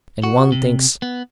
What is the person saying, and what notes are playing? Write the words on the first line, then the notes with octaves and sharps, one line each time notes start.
And one thinks....
F#4
C3
B3